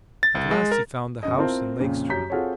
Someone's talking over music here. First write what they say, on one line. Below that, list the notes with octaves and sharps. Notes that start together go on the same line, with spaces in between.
At last he found the house in Lake Street.
A6
C2
G#3
A#4
G1 C#3 D#5
C4 E4 F4 A#4 C5 A5
F2 A#2 C#3
F#2 C#4 G4 A#5 G6 B6
C4 F4 F#4 G#4 A4 C#5